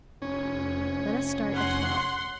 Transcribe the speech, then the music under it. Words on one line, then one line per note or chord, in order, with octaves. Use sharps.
Let us start at twelve.
F1 C#4
F#5 C6